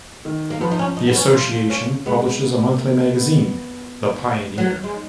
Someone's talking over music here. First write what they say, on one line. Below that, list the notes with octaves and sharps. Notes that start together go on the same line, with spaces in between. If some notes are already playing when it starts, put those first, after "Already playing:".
The association publishes a monthly magazine, "The Pioneer".
D#3
A#3
F3 B3
D#4
C#4
D#4
B3
C#4
F4
C#4
G#3 B3
A#3
A#3
B3
F#3
G#3
D#4